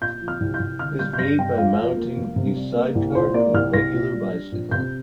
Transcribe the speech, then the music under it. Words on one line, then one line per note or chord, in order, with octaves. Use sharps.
It is made by mounting a sidecar to a regular bicycle.
A#2 G6
F3
F6
C2
G6
C2
D3 F6
G3 G6
G6
G2 A#6
G2 G5
F2 F5
F3
A#3
F1
C3
G3
A#3
C2
A#2 C5
A#3 D5
C2 F6
C2 A#6
A#2
G3
D4
A#1
C3 G6